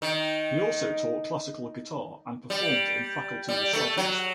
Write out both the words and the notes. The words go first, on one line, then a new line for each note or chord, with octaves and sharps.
He also taught classical guitar and performed in faculty recitals.
D#3
G3
G3
A3
F#3